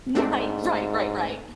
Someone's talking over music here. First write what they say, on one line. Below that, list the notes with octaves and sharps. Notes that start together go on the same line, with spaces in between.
Right, right, right, right.
G#2 A3 C4 D4